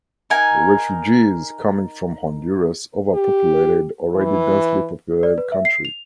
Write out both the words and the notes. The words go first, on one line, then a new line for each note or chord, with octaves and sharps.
The refugees coming from Honduras overpopulated the already densely populated country.
D#4 A#4 G#5
G4
E3
D5
B4
E5
C7
F7